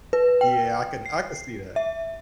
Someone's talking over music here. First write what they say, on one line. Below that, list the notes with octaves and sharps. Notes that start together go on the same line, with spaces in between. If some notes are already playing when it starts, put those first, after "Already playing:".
Yeah, I can I can see that.
B4
G5
C7
E5